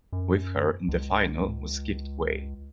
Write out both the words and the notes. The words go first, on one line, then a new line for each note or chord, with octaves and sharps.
With her in the final was Gift Gwe.
F#2
C#2